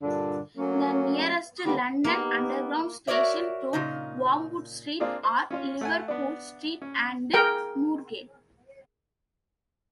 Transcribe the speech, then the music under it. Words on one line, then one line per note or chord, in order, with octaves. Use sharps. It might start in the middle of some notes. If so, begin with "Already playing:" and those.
The nearest London Underground stations to Wormwood Street are Liverpool Street and Moorgate.
G2 A#2 D3 D4
F#3 A3 A#3 C#4
D3 D#3 G3 A#3 B3 D4
A#3 B3 D#4 G4
F#4 A#4 C#5 D5 E5
A#2 C#3 D#4
A#3 C4 D4 F4 G#4
C5
C#4 F4 C#5
A3 F#5 G#5
B3 D4
C#4
G#4 A#4 G5